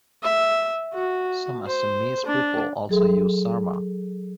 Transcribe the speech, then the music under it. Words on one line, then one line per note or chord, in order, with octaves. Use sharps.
Some Assamese people also use Sarmah.
E5
F#4
C5
D4
F#3 G#4 A4